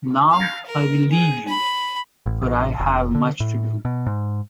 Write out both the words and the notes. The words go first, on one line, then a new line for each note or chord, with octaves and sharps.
Now I will leave you, for I have much to do.
F5
A#4
G#4
B5
A1
A1
F1
D3
A2
B2
G#2